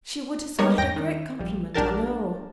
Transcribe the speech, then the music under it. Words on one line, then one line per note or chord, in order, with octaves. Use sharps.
She would ha' thought it a great compliment, I know.'
G3 G#3 A#3 B3 A#4 C#5
E2 G#2 G5 A#6
D#3
A#1 G3
A#1 D4 G4 A#4 A5